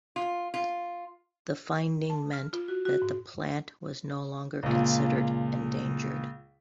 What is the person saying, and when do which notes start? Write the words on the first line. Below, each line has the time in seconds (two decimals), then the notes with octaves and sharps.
The finding meant that the plant was no longer considered endangered.
0.16 F4
0.54 F4
2.10 A5
2.33 F6
2.53 F4
2.68 F#4
2.85 F#4
3.02 G#2
4.63 C#2 A#2